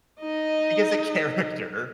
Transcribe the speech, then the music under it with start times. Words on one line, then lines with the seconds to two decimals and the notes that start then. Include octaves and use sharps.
because of character.
0.20 D#4 D#5